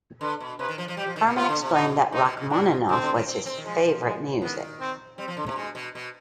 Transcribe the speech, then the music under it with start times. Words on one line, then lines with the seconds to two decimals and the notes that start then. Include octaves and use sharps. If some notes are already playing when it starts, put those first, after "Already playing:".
Carmen explained that Rachmaninoff was his "favorite music".
0.21 D3 B4
0.40 B2
0.59 C3 B4
0.68 D#3
0.78 F3
0.88 F3
0.97 G3 G4
1.07 F3
1.16 D#3
1.27 B2
1.36 C3 F4
1.49 D3
1.62 C3
1.74 B2 D#4
2.12 G#2 D#4
2.25 B2
2.37 B2
2.50 B2 D4
2.89 D3 C4
3.02 D3
3.14 D#3
3.27 C4
3.46 C4
3.57 D#3
3.65 F3 G#3
4.04 G#3
4.42 D#3 B3
4.80 C4
5.17 G3 C4
5.28 F3
5.37 D3
5.46 C3
5.56 B2 G#3
5.75 B2
5.95 B2